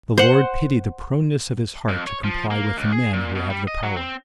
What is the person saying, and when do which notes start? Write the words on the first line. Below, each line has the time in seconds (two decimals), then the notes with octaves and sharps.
The Lord pity the proneness of his heart to comply with the men who have the power . . .
0.18 C5 F#5
1.89 F2
2.07 C#5
2.24 F3
2.51 A#3
2.77 C#2
2.92 G#4
3.13 A#2
3.35 B2
3.50 G3
3.67 D#5
3.83 F#3
3.97 C4